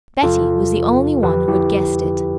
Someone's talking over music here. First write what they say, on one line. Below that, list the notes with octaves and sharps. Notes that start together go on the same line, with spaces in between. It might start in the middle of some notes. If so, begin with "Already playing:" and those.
Betty was the only one who had guessed it.
E2 C3 F3 F4 A4
F2 D3 F3 G4 B4
E4 G4